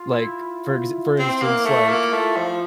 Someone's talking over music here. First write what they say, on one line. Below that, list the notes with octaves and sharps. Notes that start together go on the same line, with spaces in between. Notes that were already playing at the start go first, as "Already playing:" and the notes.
like, for ex for instance, like,
Already playing: F4
E4
C4
A#3
A3
A#3 F4
A3
F3